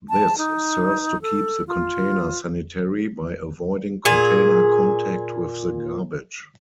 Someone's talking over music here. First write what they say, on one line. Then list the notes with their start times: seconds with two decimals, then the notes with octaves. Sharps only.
This serves to keep the container sanitary by avoiding container contact with the garbage.
0.09 A5
0.38 D#4
1.22 A4
1.67 F4
4.05 A#2 G#4